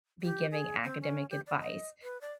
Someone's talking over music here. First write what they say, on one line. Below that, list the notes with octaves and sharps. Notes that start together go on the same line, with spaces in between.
be giving academic advice."
G4
G#4
C4
C#4
G4
D5
D#5
B4
D5